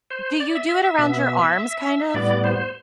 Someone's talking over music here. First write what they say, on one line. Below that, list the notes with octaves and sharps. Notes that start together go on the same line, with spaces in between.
Do you do it around your arms, kind of?
C5
D5
E5
E5
E5
B2 B3
E5
A2 G3 B3 D5
C5